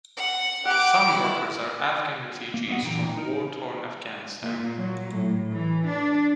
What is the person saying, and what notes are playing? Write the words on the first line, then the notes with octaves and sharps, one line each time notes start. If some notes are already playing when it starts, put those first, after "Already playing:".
Some workers are Afghan refugees from war-torn Afghanistan.
F#5
G4 F#5 D6
E4
A#3
F#3 B3 E5 F#5
A#2 D3 E3 G5 A#5
D#4 A#4
A#2
F#3
A2
E3
D4